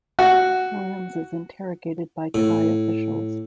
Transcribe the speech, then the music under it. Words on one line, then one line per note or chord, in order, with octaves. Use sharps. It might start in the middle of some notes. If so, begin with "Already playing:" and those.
Williams is interrogated by Thai officials.
F#4
A2